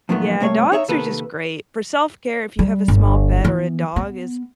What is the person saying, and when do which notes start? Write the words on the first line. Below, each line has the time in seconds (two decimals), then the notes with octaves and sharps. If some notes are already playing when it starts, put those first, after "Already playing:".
Yeah, dogs are just great. For self-care, if you have a small pet or a dog is
0.09 F2 A#2 D#3 F#3 A3 B3
0.40 G2 C3 A3 A#3 C#5
0.72 D#4 C#5 E5
0.88 C3 D#3 A#3 A4 B4
2.59 G3
2.88 G1
3.44 E3 B3
3.96 B3